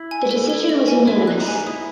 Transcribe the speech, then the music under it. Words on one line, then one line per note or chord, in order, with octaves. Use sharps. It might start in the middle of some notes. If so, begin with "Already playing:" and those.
The decision was unanimous.
Already playing: E4
G#5
A4
A4
D#5
G#5
E4 E5
F#6
D#4
G#5
E4 D#6